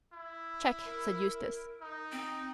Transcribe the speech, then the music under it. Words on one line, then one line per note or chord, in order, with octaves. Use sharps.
"Check!" said Eustace.
E4
A#4
D#4
C4